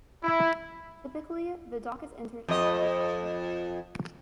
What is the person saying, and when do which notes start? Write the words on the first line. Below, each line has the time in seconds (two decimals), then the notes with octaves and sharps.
Typically the dock is entered at high tide.
0.23 E4
2.48 F2 D#5